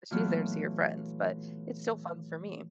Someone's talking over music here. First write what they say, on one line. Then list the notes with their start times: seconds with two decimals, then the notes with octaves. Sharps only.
she's there to see her friends, but it's still fun for me.
0.11 A#2 E3 F#3 A3 B3 F6